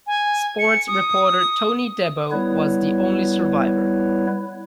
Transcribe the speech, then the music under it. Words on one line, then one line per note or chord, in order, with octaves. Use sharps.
Sports reporter Tony Debo was the only survivor.
G#5
C#7
D#6
G3 B3 E4 B4 C#5